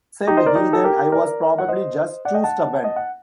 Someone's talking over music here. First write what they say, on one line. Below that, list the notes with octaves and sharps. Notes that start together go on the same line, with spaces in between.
Said Heiden I was probably just too stubborn.
D#4 G4
C5 D#5
A#4 D5
D#4 G4
A4
G4 A#4
A#4 D5
F#5
C5 D#5
D5 F#5
D#5 G5
F#5 A5
D#5
F#5